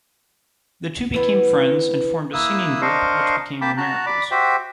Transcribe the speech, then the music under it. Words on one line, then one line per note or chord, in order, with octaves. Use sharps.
The two became friends, and formed a singing group, which became the Miracles.
E3 B3
A#3 E4 D#6 E6 F#6
D4 A#4 C5 D#5 F5 C#6
A#3 G5 A5 B5 D6
F#4 A5 A#5 F#6
D5 B5 D6
F#4 G4 C5 E5 G5